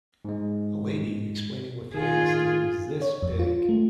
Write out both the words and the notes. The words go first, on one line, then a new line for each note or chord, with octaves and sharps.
A lady explaining with hands that it was this big.
G#2 G#3
D#3 F4 G#4
C#5
F2
F4
A3